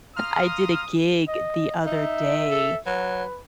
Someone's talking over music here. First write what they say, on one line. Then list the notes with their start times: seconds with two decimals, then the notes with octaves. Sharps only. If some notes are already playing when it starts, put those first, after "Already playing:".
I did a gig the other day
0.16 F5 A#5 C6 D#6 F6
1.28 D#5
1.86 D#4 E5
2.51 A4
2.87 F#3 B4